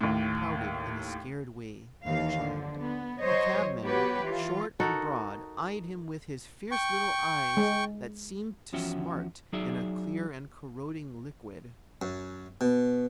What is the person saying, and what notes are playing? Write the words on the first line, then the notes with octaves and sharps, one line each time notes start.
He pouted in a scared way like a child. The cabman, short and broad, eyed him with his fierce little eyes that seemed to smart in a clear and corroding liquid.
D#2 A2
D#2 D#3 E3 F5
D3 F3
B3
F#3 C5 C#5 D#5
B3 F#4 G4 B4 C#5
E3 F4
D#4 F#4 A4 A#4
G5 C#6
G#3
E2 F3 C#4 F#4 E5 G5
F#3 D#4 F#4 G#4 D5 E5
F#2
B2